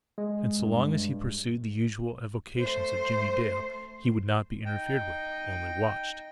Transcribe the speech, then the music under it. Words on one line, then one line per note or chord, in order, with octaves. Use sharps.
And so long as he pursued the usual avocations of Jimmie Dale, he would not be interfered with--only WATCHED.
G#3
G2
A3 C5
D#4 G5